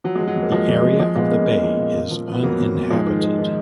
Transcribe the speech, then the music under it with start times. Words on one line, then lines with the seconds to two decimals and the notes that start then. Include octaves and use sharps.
The area of the bay is uninhabited.
0.04 F3 F#3
0.16 F3 G#3
0.28 F#3
0.36 F2
0.43 A#3
0.52 F3 G#3
0.68 F2
0.84 F2
1.00 F3 G#3
1.15 A#2 G#3 B3
1.31 A#2 A#3 C#4
1.48 F3
1.63 F3
1.79 A#2
1.96 F3
2.11 F3
2.28 F3 B3
2.43 F2 F#3 A#3
2.60 F2
2.75 F2
2.90 G#2 F3 G#3
3.06 D#3
3.22 D#3
3.39 D#3